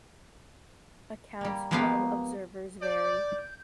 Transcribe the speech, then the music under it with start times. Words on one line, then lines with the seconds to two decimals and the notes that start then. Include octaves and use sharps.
Accounts from observers vary.
1.41 G3 A#3
1.71 F3 G#3 A#3 B3 G4 F5
2.82 D5 G6